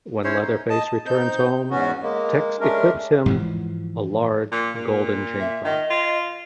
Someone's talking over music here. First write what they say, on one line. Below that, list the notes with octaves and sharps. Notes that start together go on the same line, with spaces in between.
When Leatherface returns home, Tex equips him a large golden chainsaw.
C#4 E4 C5 C#5
D#4
D#5 A5
C4 D#4 G6
E2 G#2 B3 C#4 F#4
G#3 A#3
G#3 A3 C#4 D4 A#4
G#2 E3 F3
A#2
A#2
E5
D#3 D#5
F4